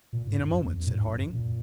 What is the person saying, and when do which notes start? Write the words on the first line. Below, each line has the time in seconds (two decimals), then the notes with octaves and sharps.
"In a moment," said Harding.
0.13 A#2
0.27 G#2
0.40 F#2
0.54 F#2
0.64 E2
0.75 F#2
0.87 A#2
0.93 G#2
1.07 F#2
1.21 F#2
1.34 A#2